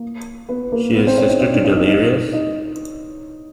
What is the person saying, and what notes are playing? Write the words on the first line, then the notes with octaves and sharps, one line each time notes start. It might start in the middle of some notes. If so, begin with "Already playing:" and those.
She is sister to Delirious?
Already playing: A#3
B3 B4
A#3 A#4
B3 B4
C4 C5
C#4 C#5
D#4 D#5
C#4 C#5
D4 D5
D#4 D#5
D#4 D#5
D#4 D#5
D#4 D#5